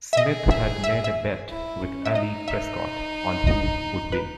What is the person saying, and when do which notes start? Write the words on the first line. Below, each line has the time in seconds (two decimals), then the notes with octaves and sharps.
Smith had made a bet with Allie Prescott on who would win.
0.13 E5
0.17 G#4 D#5
0.51 E5
0.84 E5
1.04 E5
1.50 E4
1.82 C#4
2.05 E5
2.15 D#4 D#5
2.48 E5
3.47 D#5
4.12 B4